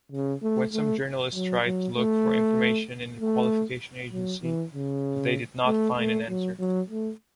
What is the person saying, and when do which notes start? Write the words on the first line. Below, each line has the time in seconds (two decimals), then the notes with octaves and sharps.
When some journalists tried to look for information in the Qualification Agency, but they did not find an answer.
0.12 C#3
0.43 A3
0.73 A3
1.35 F#3
1.66 F#3
1.97 A3
3.20 A3
4.13 F#3
4.43 E3
4.75 C#3
5.67 A3
5.98 A3
6.29 F#3
6.60 F#3
6.90 A3